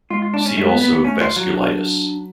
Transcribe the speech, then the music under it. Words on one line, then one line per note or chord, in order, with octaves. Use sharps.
See also vasculitis.
G#3 F4
F4
D4
C#4
A3
B3
B3
B3
A3 C#4
F4
F#3
D4